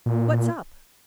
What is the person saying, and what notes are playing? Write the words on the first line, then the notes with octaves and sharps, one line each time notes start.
What's up?
A#2